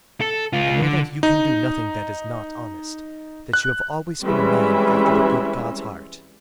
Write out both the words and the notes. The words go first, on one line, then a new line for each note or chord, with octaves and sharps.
I know that you can do nothing that is not honest, that you have always been a man after the good God's heart.
A4
C#2 F4
D3
D#4
F#6
E3 G3 G#3 C4 C#4 E5